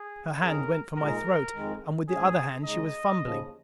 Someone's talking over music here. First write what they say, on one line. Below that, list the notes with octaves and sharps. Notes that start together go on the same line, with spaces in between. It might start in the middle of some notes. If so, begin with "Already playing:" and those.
Her hand went for my throat, and with the other hand she was fumbling.
Already playing: G#4
F2 D#3 C#4 G#4 A#4
A#2 G#3 D#4 G#4 A#4
F2 D#3 G#3
G#2 F3 C#4 G#4
C#3 G#3 D#4 D#5
D#2 C#3 F3